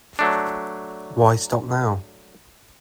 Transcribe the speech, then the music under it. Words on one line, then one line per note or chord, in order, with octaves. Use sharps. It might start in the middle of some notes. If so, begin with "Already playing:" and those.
Why stop now?
F#3 A3 D4